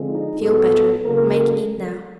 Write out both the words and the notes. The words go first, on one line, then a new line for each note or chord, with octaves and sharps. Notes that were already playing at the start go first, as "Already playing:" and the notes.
"Feel better, make eat now."
Already playing: D3 F3 G#3 C4
D#4
A2 F#3 B3 A4
C#3 F#3 A#3 A#4
A4